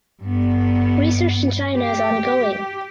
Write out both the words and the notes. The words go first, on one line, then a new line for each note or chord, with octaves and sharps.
Research in China is ongoing.
G2 B3
G4